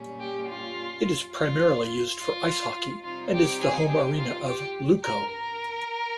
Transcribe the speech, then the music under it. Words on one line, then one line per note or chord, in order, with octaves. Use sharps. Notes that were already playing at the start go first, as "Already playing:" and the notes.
It is primarily used for ice hockey, and is the home arena of Lukko.
Already playing: A#2 G3 C#4
G4
F4
F4
F4
C3 G3 C4 D#4 F4
G4
G#4
G4
F4
G4
A#4
A#4